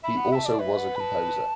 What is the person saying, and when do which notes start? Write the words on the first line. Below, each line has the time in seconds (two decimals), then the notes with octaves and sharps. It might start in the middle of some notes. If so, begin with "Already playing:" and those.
He also was a composer.
0.03 E5 B5
0.17 F#5
0.31 E5 A5 B5
0.45 D5
0.59 B4 E5
0.77 F#5
0.96 B5
1.00 A5